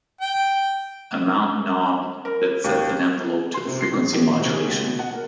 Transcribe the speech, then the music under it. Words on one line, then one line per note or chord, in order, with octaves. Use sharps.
Amount knob that sets an envelope to the frequency modulation.
G5
A#4
D#2
C6
C3
C7
A#1
A#1
A#2
C3
G#4
C#2
B2
F#5
A#4